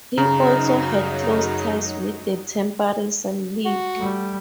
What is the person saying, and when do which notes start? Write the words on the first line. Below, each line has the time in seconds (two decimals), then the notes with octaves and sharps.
He also had close ties with the Temperance League.
0.18 F#2 C#3 F#3 D#4 A#5
3.65 F#4
3.96 G3 A3